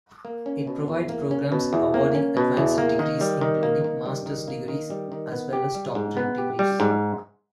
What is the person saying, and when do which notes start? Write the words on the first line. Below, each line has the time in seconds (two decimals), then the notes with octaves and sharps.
It provides programs awarding advanced degrees including master's degrees as well as doctorate degrees.
0.25 A#3
0.46 C#4
0.67 B2
0.88 E2
1.09 A#3
1.31 C#4
1.52 B2
1.73 E2
1.94 A#3
2.15 C#4
2.37 B2
2.57 E2
2.78 A#3
2.99 D#3
3.21 G3
3.41 D#3
3.63 A#3
3.84 D#3
4.06 G3
4.26 D#3
4.48 A#3
4.68 D#3
4.90 G3
5.12 D#3
5.32 B3
5.53 G4
5.75 G3
5.95 G#2
6.17 B3
6.38 G4
6.59 G3
6.80 G#2